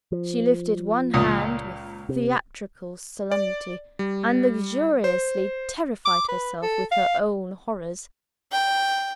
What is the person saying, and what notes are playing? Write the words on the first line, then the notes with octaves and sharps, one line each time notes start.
She lifted one hand with theatrical solemnity--and luxuriously terrified herself with her own horrors.
F3
C#2 A#2 D#6
C3
D5
G3
C5
D6
B4
A4
F5
G5